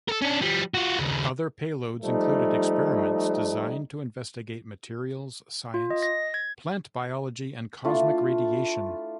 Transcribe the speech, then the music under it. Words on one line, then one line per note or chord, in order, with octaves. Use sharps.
Other payloads included experiments designed to investigate materials science, plant biology and cosmic radiation.
A4 A#4
C#4 D4
F3 G3
F4 F#4
D#2 C#3
F3 G3 A3 D#4
F4
D#5
A#6
G#6
A3 D4 E4 F4